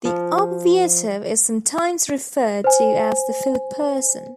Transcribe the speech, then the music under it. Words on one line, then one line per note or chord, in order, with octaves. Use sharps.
The obviative is sometimes referred to as the "fourth person".
F3
C5 G#5